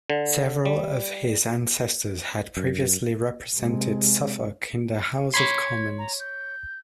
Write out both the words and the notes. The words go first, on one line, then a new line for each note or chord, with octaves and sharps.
Several of his ancestors had previously represented Suffolk in the House of Commons.
D3
G3
F#2
C3 G#3
C#5 B5 C6 G#6
A#5
G6